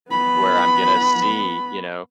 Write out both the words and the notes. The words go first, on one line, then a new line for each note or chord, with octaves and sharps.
where I'm gonna see, you know,
B3 B5